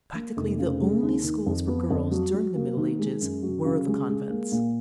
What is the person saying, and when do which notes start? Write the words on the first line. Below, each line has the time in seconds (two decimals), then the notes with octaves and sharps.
Practically the only schools for girls during the Middle Ages were the convents.
0.15 A#3
0.37 F1
0.59 C#3
0.80 G#3
1.03 D#2
1.24 D#3
1.46 F2
1.68 B3
1.90 F2
2.11 F#3
2.33 F#3
2.56 A#3
2.77 D#3
2.99 G#3
3.21 F#2
3.42 F#3
3.65 C#3
3.87 G#3
4.09 G#3
4.30 A#3
4.52 A#2